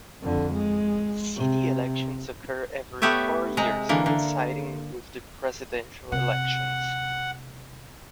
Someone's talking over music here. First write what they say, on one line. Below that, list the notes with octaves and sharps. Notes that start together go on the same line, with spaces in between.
City elections occur every four years, coinciding with the presidential elections.
F2 D3
G#3
C3
A3 B3 G4 C#5 E5
C3 G#3 A#5
D3 E3 A#3
D3
C3 F#5